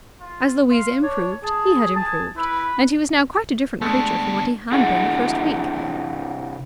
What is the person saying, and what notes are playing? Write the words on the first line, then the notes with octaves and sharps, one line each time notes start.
As Louisa improved, he had improved, and he was now quite a different creature from what he had been the first week.
F4
F5 C6
D4 C#5
G#4 A5
G#4 A5
E4 B4
G#3 A3 B3 D4 A5
C3 D4 E4 G#4 F#5